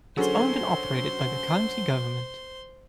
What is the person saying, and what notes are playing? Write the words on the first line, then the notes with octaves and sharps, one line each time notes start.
It is owned and operated by the county government.
D3 F#3 C#4 G#4 A4 C5 C6